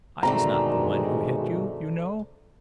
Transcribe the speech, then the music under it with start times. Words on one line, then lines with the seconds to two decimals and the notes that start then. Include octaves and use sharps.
I was not the one who hit you, you know.
0.23 G2 B2 D3 D#3 G#3 A3 C4 A#5